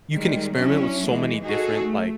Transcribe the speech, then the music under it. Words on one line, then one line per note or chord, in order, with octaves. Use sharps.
you can experiment with so many different, like,
D#3 G3 G#3
F#3 C#4 D4 E4
E3 G#3
D#4 F#4 G#4 A4
A3